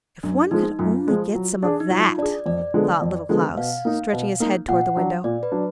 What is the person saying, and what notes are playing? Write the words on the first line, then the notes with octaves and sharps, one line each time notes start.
'If one could only get some of that!' thought Little Klaus, stretching his head towards the window.
F#2 D4
F3 G#3 D#4
F#2 F4
F3 G#3
F#3
D4 G#4
D#4
F#3 F4
D4 G#4 D5
F2 D5
D3 F3 G#3 B3
F2
D3 F3 G#3 B3
B2 F5
A#3 D#4
B2
A#3 D#4
A#2 F#5
F#3 D4
A#2 D5
B4
F#3 D4